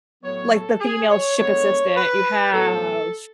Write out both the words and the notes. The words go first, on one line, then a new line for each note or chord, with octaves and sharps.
like, the female ship assistant, you have
A2 F#3 B3 C#5
A4
G#4
C#5
D3 G#3 B3 C#5
B4
A2 F#3 B3 A4